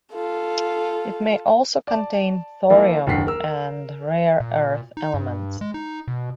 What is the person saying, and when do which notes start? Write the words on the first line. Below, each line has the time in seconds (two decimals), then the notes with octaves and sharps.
It may also contain thorium, and rare earth elements.
0.12 F4 A4
1.87 D5 A5
2.70 F3 A#3 E4
3.07 F#1 D#2 D3 F#5 B6 C7
3.27 A#4 E6
4.40 A#2
4.97 D#4
5.14 G2
5.61 G#3
5.74 D#4
6.08 B2